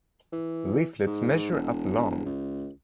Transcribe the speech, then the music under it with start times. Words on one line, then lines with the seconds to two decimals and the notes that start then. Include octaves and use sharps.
Leaflets measure up long.
0.33 E3
1.07 G#2
1.52 E1
2.25 C#2